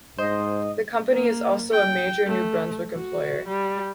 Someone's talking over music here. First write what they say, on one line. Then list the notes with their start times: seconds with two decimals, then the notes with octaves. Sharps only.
The company is also a major New Brunswick employer.
0.18 G#2 C5 D#5
1.11 A#3
1.72 G5
2.27 A3
2.95 F#4
3.47 G3